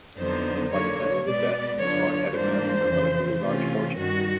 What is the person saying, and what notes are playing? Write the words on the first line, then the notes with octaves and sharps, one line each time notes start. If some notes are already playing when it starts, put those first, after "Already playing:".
By the time of his death, Swan had amassed a relatively large fortune.
F2 D3 F#3 B3 D#4 C5
D3 F#3 A#3 C#5
B2 G#3 B3 D5
D3 F#3 B3 D4 F4 C#5
G#2 E3 G3 A#3 D4 C5
F2 C#3 E3
C3 E3 A3 C#4 F4
G2 D#3 G3 F#4